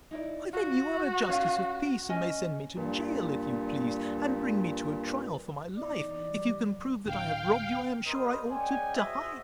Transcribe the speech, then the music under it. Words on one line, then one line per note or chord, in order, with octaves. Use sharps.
Why then you are a justice of peace, and may send me to gaol, if you please, and bring me to a trial for my life! If you can prove that I have robbed you, I am sure I ought to die.
D#4 E4 D5
F4 F#4
C#4 C#5 F5
C#4 D#5 G#5
G2 A#2
E2 D#4 D5
F#3 G3
D1 F5 G5
G3 B3 A#4 C5 D#5 D#6
G#3 C#4 D5 G5 G#5
F#4 G#4 C5 D#5 E5